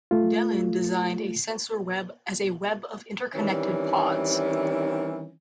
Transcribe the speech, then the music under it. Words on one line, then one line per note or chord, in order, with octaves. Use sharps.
Delin designed a sensor web as a web of interconnected pods.
A3 F4
D#3 E3 G3 C4 C#4